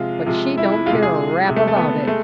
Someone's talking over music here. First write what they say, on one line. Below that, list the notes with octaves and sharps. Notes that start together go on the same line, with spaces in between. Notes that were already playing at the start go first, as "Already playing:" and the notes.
But she don't care a rap about it.
Already playing: C3 F3 G#3 F4
C3 F3 G#3
E4
E4
C3 G#3 F4
G#4
C3 G#3
A3
A3
B3
G#3 A3